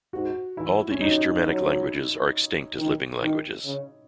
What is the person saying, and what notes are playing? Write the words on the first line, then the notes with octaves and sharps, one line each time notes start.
All the East Germanic languages are extinct as living languages.
G#2 F#4
E3 E4
C#4
F#3 D#4
F#3
D#3
D#3
C#3